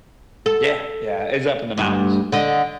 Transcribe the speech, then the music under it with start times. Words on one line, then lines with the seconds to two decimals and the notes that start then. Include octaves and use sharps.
Yeah, yeah, it's up in the mountains
0.46 A4
1.77 D2 G2
2.32 D3 D#5